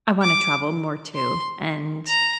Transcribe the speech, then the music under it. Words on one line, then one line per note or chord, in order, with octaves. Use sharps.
I wanna travel more, too, and
D6
C6
A#5